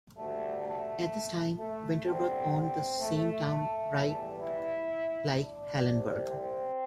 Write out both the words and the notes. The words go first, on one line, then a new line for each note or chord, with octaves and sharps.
At this time Winterberg owned the same town right like Hallenberg.
D2 D3 G3 A3
A3
A3
E2 D3 G3 C4
C4
A3
A3
E2 E3 G3
E4
D4
C2 C3 G3
C4